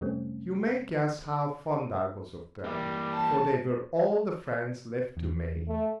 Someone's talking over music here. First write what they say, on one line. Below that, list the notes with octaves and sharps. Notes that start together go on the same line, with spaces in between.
You may guess how fond I was of them, for they were all the friends left to me.
F2 C3 G3 A3 C4 C#4
E3 G3 A#3
A5
E2
A3